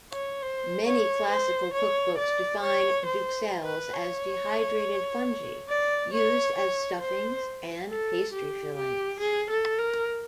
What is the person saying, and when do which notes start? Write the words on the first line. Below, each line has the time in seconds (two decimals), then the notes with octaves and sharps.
Many classical cookbooks define duxelles as dehydrated fungi, used as stuffings and pastry fillings.
0.13 C#5
0.42 C5
0.86 C#5
1.30 C5
1.74 C#5
2.18 D5
2.62 C#5
3.06 C5
3.64 B4
3.94 C#5
5.69 D5
6.13 C#5
6.57 C#5
7.01 C5
7.89 A4
8.33 G4
8.76 G4
9.20 G#4
9.50 A4
9.79 A#4